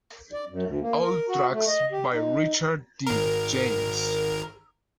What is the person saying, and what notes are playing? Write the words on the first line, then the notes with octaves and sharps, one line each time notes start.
All tracks by Richard D. James.
D5
F#2
D2
A#3
A#4
F#4
A3
D#5
G4
D#4
G#1 A#4